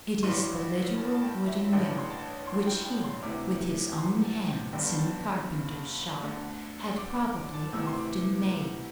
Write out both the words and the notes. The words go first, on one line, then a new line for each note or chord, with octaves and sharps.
It is the literal wooden yoke which He, with His own hands in the carpenter shop, had probably often made.
A1 G2 E3 C6
D6
C6
A5
A5
G5
E5
E5
A1 G2 D3 G5
C6
A5
C6
G5
G5
C6
D2 C3 E3 D6
C6
A5
G5
G1 G2 D3 G5
A5
D2 D3
D6
D6
D6
A5
D2 C3 E3 E6
C6
D6